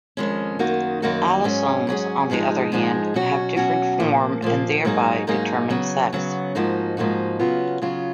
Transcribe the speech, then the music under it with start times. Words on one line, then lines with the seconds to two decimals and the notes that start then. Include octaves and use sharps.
Allosomes, on the other hand, have different form and thereby determine sex.
0.17 F2 D#3 G#3 C#4
0.59 F#2 D#3 A#3 D#4 F#4
1.02 F#2 D#3 A#3 D#4 F#4
1.44 G#2 F#3 C#4 G#4
1.87 G#2 F#3 C#4 G#4
2.30 G#2 F3 G#3 D#4 G#4
2.72 G#2 F3 G#3 D#4 G#4
3.14 B2 F#3 C#4 F#4
3.56 B2 F#3 C#4 F#4
4.00 A#2 F3 A#3
4.42 A#2 F3 A#3
4.85 G#2 F#3 A#3 D#4 G#4
5.27 G#2 F#3 A#3 D#4 G#4
5.70 C#3 F#3 B3
6.13 C#3 F#3 B3
6.55 G#2 F3 A#3 D#4 F#4
6.97 G#2 F3 A#3 D#4 F#4
7.39 C#3 F#3 B3 F4
7.82 C#3 F#3 B3 F4